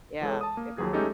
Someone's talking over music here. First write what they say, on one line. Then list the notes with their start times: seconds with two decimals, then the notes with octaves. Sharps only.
yeah, every
0.21 E3 G#3 A4 C#5
0.41 A5 D#6
0.57 A#3
0.78 D#2 F3 F#3 G#4
0.93 G#3 A3 C#4 D#4 G4 A4